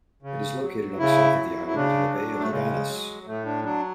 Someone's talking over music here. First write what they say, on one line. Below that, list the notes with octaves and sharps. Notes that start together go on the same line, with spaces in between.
It is located on the south of the island, in the Bay of Laganas.
C#3
F#3
C#3 E4
F#3
E4
C#3 D4
F#3
A3
C#3 G#3
F#3
A2 A3
D4
F#3 D4